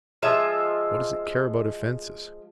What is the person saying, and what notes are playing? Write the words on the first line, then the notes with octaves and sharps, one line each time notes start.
What does it care about offences?
F3 G#3 F4 E5